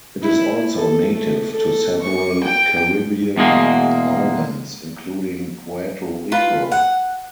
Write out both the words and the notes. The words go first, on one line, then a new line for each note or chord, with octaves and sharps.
It is also native to several Caribbean islands, including Puerto Rico.
E4
A4
A3
A4
C#6
G5
E2 B2 G#3 A#3
F4 B4
F#5